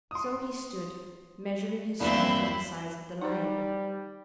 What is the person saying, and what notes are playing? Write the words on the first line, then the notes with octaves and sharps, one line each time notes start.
So he stood, measuring his strength and the size of the lion.
C6 D#6
E2 G2 A#3 C4 E4 B5
G3 D#4 C5